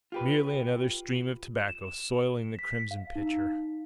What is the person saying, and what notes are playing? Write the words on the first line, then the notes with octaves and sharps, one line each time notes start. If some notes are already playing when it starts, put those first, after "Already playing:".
Merely another stream of tobacco soiling the crimson pitcher.
F4 G4 B4
E7
B6
F5
D#4